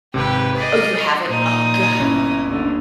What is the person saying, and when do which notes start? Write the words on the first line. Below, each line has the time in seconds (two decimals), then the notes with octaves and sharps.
Oh, you haven't? Oh, god,
0.14 G#1 C3 G4 B4
0.57 G#4 D5 D#5 D#6 B6
1.27 A#2 D#4 C5 D#6
1.99 G1 C#4 E4
2.47 D#2 D3